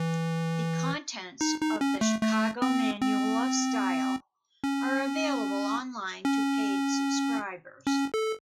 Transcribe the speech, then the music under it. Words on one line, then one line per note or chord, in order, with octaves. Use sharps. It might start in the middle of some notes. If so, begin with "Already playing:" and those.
The contents of "The Chicago Manual of Style" are available online to paid subscribers.
Already playing: E3
D#4
D#4
C#4
A3
A3
C4
C4
C#4
C#4
C#4
A4